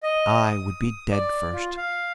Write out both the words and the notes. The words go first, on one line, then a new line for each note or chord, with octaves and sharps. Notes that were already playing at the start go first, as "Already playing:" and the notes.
I would be dead first!
D#5
D#6
D5
F4
F5